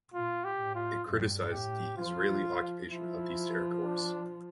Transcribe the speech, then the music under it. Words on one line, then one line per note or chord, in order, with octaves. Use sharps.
It criticized the Israeli occupation of these territories.
A#2 F4
G4
A2
F4
G2
A2 G4
F3 F4
F3
F3
F3 E4
D4